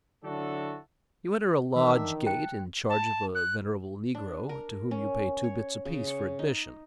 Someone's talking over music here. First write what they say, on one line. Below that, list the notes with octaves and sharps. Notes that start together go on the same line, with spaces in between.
You enter a lodge gate in charge of a venerable negro, to whom you pay two bits apiece for admission.
D3 F#3 D4 E4 F#4 A4
D#3 E3 D4 E5 E6
G5 A5 F#6
A5
F#6
D4
A#4
C#4
C#5
C#3
C#6
D#4